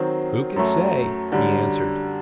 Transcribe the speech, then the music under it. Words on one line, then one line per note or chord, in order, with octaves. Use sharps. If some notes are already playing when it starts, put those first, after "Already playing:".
"Who can say?" he answered.
Already playing: D#3 F#3 C4
F#2 F#3 A3
F#2 D3 G3